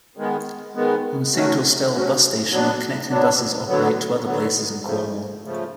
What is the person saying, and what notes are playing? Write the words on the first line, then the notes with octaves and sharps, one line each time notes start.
From Saint Austell Bus Station connecting buses operate to other places in Cornwall.
D#3 G#3 B3
D#3 G#3 B3
F#3 A3 C#4 F#4
F#3 A3 C#4 F#4
F#3 B3 D4
F#3 B3 D4
D3 F#3 B3
D3 F#3 B3
C#3 F3 A3
C#3 F3 A3